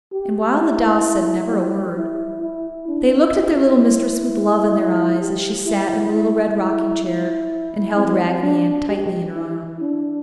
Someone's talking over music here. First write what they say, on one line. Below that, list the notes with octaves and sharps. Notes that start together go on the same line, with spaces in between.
And while the dolls said never a word they looked at their little mistress with love in their eyes as she sat in the little red rocking chair and held Raggedy Ann tightly in her arms.
G4
E4
G3
E4
E4
D4
E4
G4
E4
E4
E4
C4
D4
G4
E4
D4